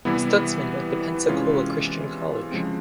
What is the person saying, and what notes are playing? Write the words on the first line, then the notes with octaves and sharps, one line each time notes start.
Stutzman went to Pensacola Christian College.
C3 E3 G3 B3 E4
C3 E3 G#3 C#4 F4
C#3 F3 G#3 C4